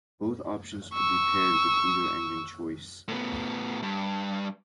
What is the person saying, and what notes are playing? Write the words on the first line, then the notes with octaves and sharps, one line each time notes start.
Both options could be paired with either engine choice.
C#6 E6
A2 B3
G2